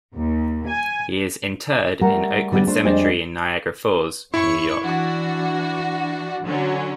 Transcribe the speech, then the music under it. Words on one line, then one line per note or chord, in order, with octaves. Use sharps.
He is interred in Oakwood Cemetery in Niagara Falls, New York.
D#2
G#5
G3 A3 A#4 F#5
D3 G3 B3 C#4 D4
A3 D4 C5
F2 G3 G#3 D4 C5
F#2 E4 C#5 C#6
E3 D4 F#4
D3 F#3 C#4